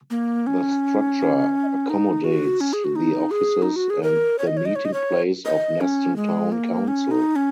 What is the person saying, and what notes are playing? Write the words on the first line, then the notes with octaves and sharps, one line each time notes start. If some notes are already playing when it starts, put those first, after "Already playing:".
The structure accommodates the offices and the meeting place of Neston Town Council.
A#3
C#4
D#4
F#4
C#4
G#4
F#4
D#4
G#4
D#4
F#4
G#4
A#4
C#5
D#5
C#5
D#5
C#5
D#5
C#5
D#5
C#4
G#3
A#3
C#4
D#4
C#4